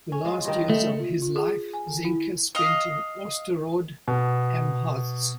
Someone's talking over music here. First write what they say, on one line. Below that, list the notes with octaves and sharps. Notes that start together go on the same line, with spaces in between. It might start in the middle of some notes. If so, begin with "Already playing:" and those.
The last years of his life Zenker spent in Osterode am Harz.
C#4
G#3 F4
G2 D#3
A3
F4
F4
G#4
G#5
D#3
E4
D#5 F5
B2